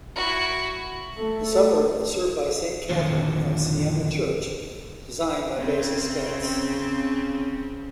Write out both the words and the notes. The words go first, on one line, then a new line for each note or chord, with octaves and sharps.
The suburb is served by Saint Catherine of Siena church, designed by Basil Spence.
E4 F#4
A3 A4
F2 A#2 D3 D#3 F3 F#3
C#3 C4